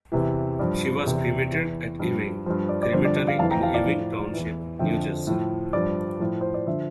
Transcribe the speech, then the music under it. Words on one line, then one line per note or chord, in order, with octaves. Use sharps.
She was cremated at Ewing Crematory in Ewing Township, New Jersey.
E2 C3 E3
G2 F3 D5
E2 C3 E3
E2 E3
G2 F3
G2 F3 C5
D5
D5
G2 D3 F3 C5
D5
D5
D5 F5
F2 E3 F5 A5
G5 A#5
F5 A5
D5 F5
A2 F3
E2 E3
F2 D3 F3 E5 G5
A2 F3
G2 F3 D5
A2 F3
C5
D5
D3 F3 C5 E5